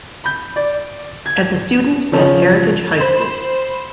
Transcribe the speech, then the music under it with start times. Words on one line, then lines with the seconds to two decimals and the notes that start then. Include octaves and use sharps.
As a student at Heritage High School.
0.24 B5 G6
0.56 D5
1.26 G#6
2.12 C#3 F3 C#4
2.99 C5 B5 C6 E7